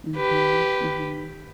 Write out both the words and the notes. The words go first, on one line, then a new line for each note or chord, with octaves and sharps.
Mhm. Mhm.
G4 B4